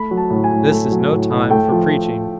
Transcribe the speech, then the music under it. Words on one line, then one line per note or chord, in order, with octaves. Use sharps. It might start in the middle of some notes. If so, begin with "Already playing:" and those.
This is no time for preaching!
Already playing: A3 B5
F#3
A5
A2
G#5
A2
A3
F#3
A2
A2
A3 G5
F3